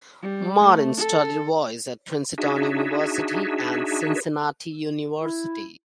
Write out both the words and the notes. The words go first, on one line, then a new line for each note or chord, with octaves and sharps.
Martin studied voice at Princeton University and Cincinnati University.
G3
A3
A4
D4 D#4 F#4 G#4 E5
E4